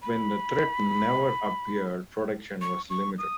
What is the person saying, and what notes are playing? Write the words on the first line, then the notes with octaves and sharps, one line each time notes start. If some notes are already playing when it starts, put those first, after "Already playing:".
When the threat never appeared production was limited.
B5
C#6
C#6
D#6